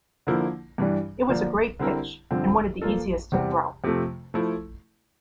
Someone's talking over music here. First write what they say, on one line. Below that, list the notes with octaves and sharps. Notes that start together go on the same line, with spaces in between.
It was a great pitch and one of the easiest to throw.
D3 F3 A#3 E4
G2 E3 G3 D4
D3 F3 A#3 D4
D3 G3 C4 E4 A#4
G2 D3 F3 C4
F3 A#3 F4 A4
E2 C3 G3 C4 G4
F2 C3 F3 A3
F3 A3 E4 A4